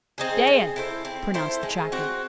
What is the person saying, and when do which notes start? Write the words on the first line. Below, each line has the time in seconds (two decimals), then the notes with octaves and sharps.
"Dead!" pronounced the tracker.
0.18 C4 D#4 G#4
0.47 C4
0.76 E4 A4 C5
1.05 C4
1.34 E4 A4 C5
1.63 G#3
1.92 C4 F#4